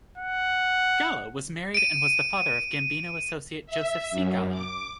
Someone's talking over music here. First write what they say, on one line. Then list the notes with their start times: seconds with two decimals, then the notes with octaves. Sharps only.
Gallo was married and was the father of Gambino associate Joseph C. Gallo.
0.17 F#5
1.74 D7 D#7
3.66 E5
4.10 F#2
4.51 D6